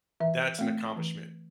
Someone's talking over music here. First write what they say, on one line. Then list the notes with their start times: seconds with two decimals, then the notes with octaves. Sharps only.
That's an accomplishment,
0.20 E3 E5
0.59 A3 C4
0.97 E3